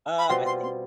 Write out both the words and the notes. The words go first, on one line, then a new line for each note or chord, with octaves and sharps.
Uh, I think
B5
B2 G3 C4 F4 C6
C6
C6